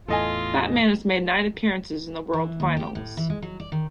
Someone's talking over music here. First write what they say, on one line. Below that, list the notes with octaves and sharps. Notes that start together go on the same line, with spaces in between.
Batman has made nine appearances in the World Finals.
E2 A2 F4 A4 D#5 G#5
E3
D#2
G4
A2
E3
G#3
F#3
D5
D#3